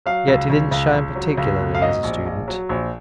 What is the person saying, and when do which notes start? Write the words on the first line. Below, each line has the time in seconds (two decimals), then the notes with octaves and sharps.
Yet he didn't shine particularly as a student.
0.06 F#3 F5
0.28 C#2
0.50 C#2
0.71 C#2
0.94 C#2
1.15 F#3
1.37 C#2
1.60 B2
1.75 F5
1.81 G#2 D#5
2.03 A#1
2.26 A#1
2.48 F#3
2.69 A#1